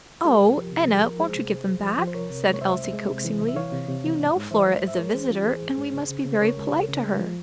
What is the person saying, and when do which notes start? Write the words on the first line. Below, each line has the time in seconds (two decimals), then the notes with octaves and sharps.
"Oh! Enna, won't you give them back?" said Elsie, coaxingly; "you know Flora is a visitor, and we must be very polite to her."
0.24 G#3 G4 A#4
0.41 C2
0.57 F3
0.72 C3
0.88 F3
0.94 G#4
1.04 F3 A#4
1.19 G#3 G#4 C5
1.36 C3
1.51 C2
1.67 C2
1.83 F3
1.98 F3
2.07 C5
2.14 C2 A#4 C#5
2.30 C3
2.46 G#3
2.54 C#5
2.61 C2 C5 E5
2.77 C2
2.93 G#3
3.09 C3
3.25 E3
3.40 C2
3.48 E5
3.56 E3 C#5 F5
3.72 C3
3.88 C3
4.04 E3
4.20 G#2
4.36 G#2
4.51 E3 C5 E5
4.67 G#3
4.82 G#2
4.88 E5
4.98 G#3 A#4 C#5
5.14 E3 G#4 C5
5.30 E3 C#4 F4
5.46 E3 G#4 C5
5.62 G#2
5.77 G#2
5.93 C#3
6.09 C#3
6.25 C#3
6.35 C5
6.41 C#3 A#4 C#5
6.57 G#3
6.72 C#2
6.88 C#3
7.04 G#3
7.20 F3